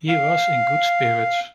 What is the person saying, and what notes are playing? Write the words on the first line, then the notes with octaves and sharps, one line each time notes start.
He was in good spirits.
F5